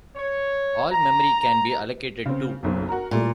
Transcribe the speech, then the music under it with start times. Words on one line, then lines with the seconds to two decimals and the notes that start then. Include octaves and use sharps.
All memory can be allocated too.
0.16 C#5
0.92 A#5
2.26 C#3 C4
2.63 F#1 B1 C4
2.89 F#4 A#4 A#5
3.11 A#2 G3 A3 A#3